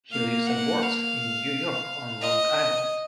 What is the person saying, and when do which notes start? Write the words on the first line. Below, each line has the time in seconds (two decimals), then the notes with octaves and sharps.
He lives and works in New York on Long Island.
0.12 A#3 F5
0.47 F#5
0.82 F5
2.21 D#5